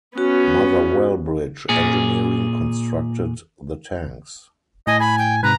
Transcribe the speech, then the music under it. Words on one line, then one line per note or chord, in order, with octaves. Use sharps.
Motherwell Bridge Engineering constructed the tanks.
B3 C#4 F#4
A#2 G#4
A2 D#5 G#5
G#5 B5
G5
G#2 C3 B4 A#5